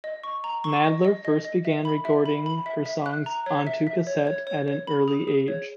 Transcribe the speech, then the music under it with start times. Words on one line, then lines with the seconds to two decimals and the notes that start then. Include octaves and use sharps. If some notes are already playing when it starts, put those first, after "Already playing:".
Nadler first began recording her songs onto cassette at an early age.
0.04 D#5
0.24 C#6
0.44 A#5
0.64 C#6
0.84 D#5
1.05 D#5
1.25 D#5
1.44 D#5
1.65 E5
1.85 B5
2.05 E5
2.26 B5
2.46 B5
2.66 E5
2.86 E5
3.06 F#6
3.26 A#5
3.46 C#5
3.67 E5
3.87 E5
4.07 C#5
4.27 C#5
4.47 C#5
4.68 C#5
4.87 B5
5.08 G#4
5.28 G#4
5.48 C#5